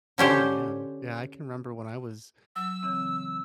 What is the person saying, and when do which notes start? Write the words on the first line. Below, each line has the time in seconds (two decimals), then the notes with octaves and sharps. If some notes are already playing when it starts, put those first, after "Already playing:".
Oh, man. Yeah, I can remember when I was,
0.18 D3 C#4 G4 C5
2.56 F#3 E6
2.83 C#3 E3 C4